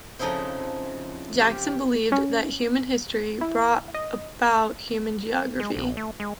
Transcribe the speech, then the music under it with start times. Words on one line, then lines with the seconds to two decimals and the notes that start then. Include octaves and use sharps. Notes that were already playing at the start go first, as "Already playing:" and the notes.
Jackson believed that human history brought about human geography.
0.19 F2 C#3 F3 D#4 E4 C5
1.39 F4 G4
2.12 C#4
3.41 E4
3.94 D#5
5.60 G#3
5.75 A#1
5.97 A3
6.20 G#3